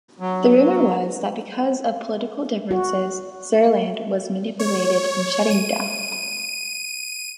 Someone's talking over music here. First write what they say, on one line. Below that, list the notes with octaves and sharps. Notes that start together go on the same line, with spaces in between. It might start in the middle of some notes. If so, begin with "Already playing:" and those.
The rumour was that because of political differences Surland was manipulated in shutting down.
F#3
F#4
C#5
D#7